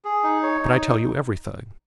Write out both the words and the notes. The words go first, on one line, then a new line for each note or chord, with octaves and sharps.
"But I tell you everything."
G#4
D#4
C#5
D#4